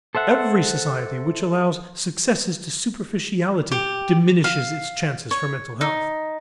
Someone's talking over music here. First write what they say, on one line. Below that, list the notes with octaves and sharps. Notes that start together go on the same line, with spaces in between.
Every society which allows successes to superficiality diminishes its chances for mental health.
A4 C5 E5 F#5
G4
F5
C#5
D#4